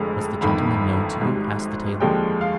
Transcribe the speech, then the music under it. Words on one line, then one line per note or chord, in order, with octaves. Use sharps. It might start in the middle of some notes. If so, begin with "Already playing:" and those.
"Was the gentleman known to you?" asked the tailor.
Already playing: F1 F2 D3 G#3
G1 F2 D#3 B5
G#1 G#2 G3
D#2 D3 F3 G#3 G5
F5